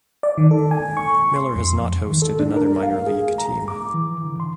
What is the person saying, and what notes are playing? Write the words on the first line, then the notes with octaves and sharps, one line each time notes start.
Miller has not hosted another minor league team.
D5
D#3
A4
G#5
C#6
C6
F2
D#3
A4
D4
A#4
F5
G#4
A#5
D6
E3
D3
C6